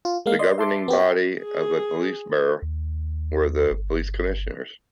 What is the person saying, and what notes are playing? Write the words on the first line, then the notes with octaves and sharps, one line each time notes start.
The governing body of a police burgh were the police commissioners.
F4
G#3 A#3 F5
D5 D#5 C6
E5 A5 C6 D6
B3 C4 G4
G5
G#4
D#2
G1